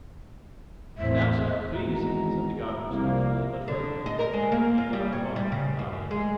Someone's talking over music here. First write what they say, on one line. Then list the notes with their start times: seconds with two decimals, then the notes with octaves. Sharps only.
"Now Sir, please," said the guard respectfully but firmly, and Dr. Martineau got in.
0.98 E2 A2 C4 E5
1.75 G#1 E2 G#3 F#4 A#5
2.90 C2 F3 A#3
3.68 D3
4.06 D#5
4.19 A#4
4.34 G#3
4.52 A#3
4.78 F4
4.93 G3
5.13 C#5
5.36 G3
5.52 C#3
5.79 F#2
6.11 G#3